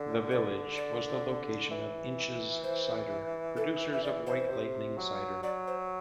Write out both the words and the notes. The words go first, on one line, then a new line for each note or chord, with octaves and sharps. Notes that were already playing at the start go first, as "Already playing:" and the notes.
The village was the location of Inch's Cider, producers of White Lightning cider.
Already playing: D3
D5
D5
E3
C5
A4
B4
E5
D5
C5
C3
F#3
F#3 D5
C5